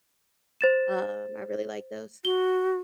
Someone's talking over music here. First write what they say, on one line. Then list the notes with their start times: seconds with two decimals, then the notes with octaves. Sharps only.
um, I really like those.
0.61 C5 A6 E7
2.25 F#4 G7